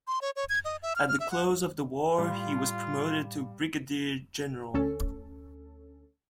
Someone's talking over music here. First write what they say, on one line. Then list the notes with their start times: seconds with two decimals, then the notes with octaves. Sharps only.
At the close of the war he was promoted to brigadier general.
0.07 C6
0.22 C#5
0.36 C#5
0.49 G#6
0.65 D#5
0.82 E5
0.96 F6
1.08 F6
1.20 E5
1.31 F#5
2.18 A2 G3 F4 F5 B5
4.74 D2 C#4 A4